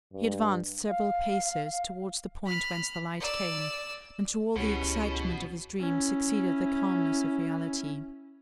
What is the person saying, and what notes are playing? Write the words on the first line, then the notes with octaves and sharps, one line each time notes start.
He advanced several paces towards the point whence the light came, and to all the excitement of his dream succeeded the calmness of reality.
G2
F5
B5 F6
D5 E6
C#2 B2 C#4 E4 G4 G#4
C#4 E4